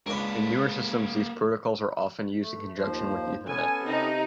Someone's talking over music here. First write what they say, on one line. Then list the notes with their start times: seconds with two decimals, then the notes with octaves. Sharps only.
In newer systems, these protocols are often used in conjunction with ethernet.
0.06 C#2 C#3 A#3 D4 B4
2.42 A3
2.78 D#2 F3 C5
3.47 B3 C#4 A4 G#5
3.85 C3 D#4